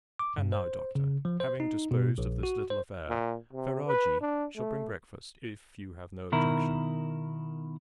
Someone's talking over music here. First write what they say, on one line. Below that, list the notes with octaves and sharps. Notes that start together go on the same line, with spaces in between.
"And now, Doctor, having disposed of this little affair, Ferajji shall bring breakfast; if you have no objection."
D6
G2
C5
C#3
F3
C5
D#4
B2
A#1
F#4
C5
A#2
C3
B4
D4
A3
B2 D#3 E4 A#4